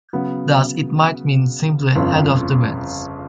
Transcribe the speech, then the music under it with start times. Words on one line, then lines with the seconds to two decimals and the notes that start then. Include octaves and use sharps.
Thus it might mean simply 'Head of the Winds'.
0.13 C#3 F#3 B3
1.95 G1 F2 C#3